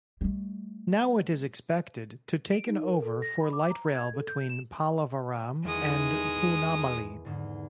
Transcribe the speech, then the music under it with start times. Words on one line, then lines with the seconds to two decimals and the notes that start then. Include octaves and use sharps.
Now it is expected to taken over for Light Rail between Pallavaram and Poonamallee.
0.21 G3 A3
2.52 D7
2.68 D#4
2.83 A#4
3.02 A4
3.22 A#6
3.40 B5
3.53 D6
3.70 A#5
3.95 G#6
4.14 A4
4.28 G6
4.49 E7
5.65 E2 D#3 G#3 D#6
7.25 E2 G#2 D3